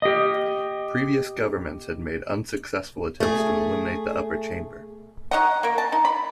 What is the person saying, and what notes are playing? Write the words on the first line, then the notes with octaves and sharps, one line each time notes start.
Previous governments had made unsuccessful attempts to eliminate the upper chamber.
G4 D#5
A3 G#4
D#4 C#5 D#5 F#5
A#3 A#4
A5
D#4
B5